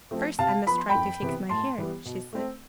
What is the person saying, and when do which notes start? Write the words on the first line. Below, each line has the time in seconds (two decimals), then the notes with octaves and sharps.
"First I must try to fix my hair," she said.
0.11 F3 A3 C4
0.39 C3 F5 A5
0.66 F3 B3 B5
0.78 C6
0.89 G5 B5
0.95 F2
1.22 C3 E3 B3
1.49 A2 A5 C6
1.78 E3 G3 B3
2.05 B2
2.33 A3 C4